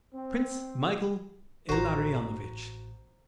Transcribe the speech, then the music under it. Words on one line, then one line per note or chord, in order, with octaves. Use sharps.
Prince Michael Ilarionovich!
C4
A1 F#4 C5 A#5